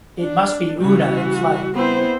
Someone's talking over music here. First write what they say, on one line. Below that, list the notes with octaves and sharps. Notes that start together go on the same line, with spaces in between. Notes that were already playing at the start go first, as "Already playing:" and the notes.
It must be Oona in flight.
D4
C#3 E3 G3 F#4
B3 C4 E4 C5